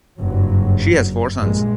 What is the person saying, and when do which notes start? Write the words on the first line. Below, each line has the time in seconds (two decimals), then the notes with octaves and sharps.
She has four sons.
0.19 F#1 G2 F#3
1.38 A#1 G2 A#2 G#3